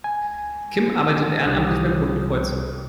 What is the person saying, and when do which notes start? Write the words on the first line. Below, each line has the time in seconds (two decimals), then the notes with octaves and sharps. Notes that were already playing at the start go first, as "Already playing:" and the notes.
Kim arbeitet ehrenamtlich beim Roten Kreuz.
0.04 G#5
1.46 C2 G4 D#6 F#6